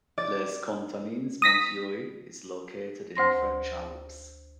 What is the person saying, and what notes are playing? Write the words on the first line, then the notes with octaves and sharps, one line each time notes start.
Les Contamines Montjoie is located in the French Alps.
D5
D#6 A#6 B6
D2 C5 C6 A#6